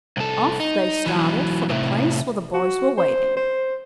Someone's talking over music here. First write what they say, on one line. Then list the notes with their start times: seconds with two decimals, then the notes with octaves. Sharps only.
Off they started for the place where the boys were wading.
0.17 C2 A4
0.60 D#4
1.06 E3 F#3
1.70 A2 C3
2.54 F#4
2.98 C5
3.37 C5